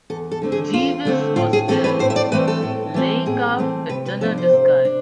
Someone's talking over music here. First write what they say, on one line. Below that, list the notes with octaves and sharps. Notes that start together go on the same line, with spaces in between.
Jeeves was there, laying out the dinner disguise.
E2 A4
A4
D3 A3 C4
G#4
E2 F4
D3 A3 C4
A2 F4
G#4
E3 A3 C4 A4
B4
A2 C5
E5
D5
E3 A3 C4 B4
A4
A2
E3 A3 C4
A2 G#4
E3 A3 C4
C3 B4
B4
F3 B3 D4 A4
C5
C3
D4